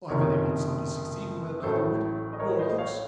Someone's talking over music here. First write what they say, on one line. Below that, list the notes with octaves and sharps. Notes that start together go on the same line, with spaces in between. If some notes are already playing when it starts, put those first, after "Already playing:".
I've enabled some to succeed who had neither wit nor looks.
F#1 F2 C3 D#3 A#4 C#5
A1 A2 F#3 A4 C5
D#5
A#4 C#5
C5 D#5
C#5 F5